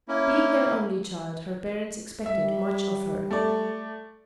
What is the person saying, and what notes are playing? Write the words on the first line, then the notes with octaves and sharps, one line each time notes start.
Being their only child, her parents expected much of her.
A#3 C#4 E4
G3 E5
A3 D5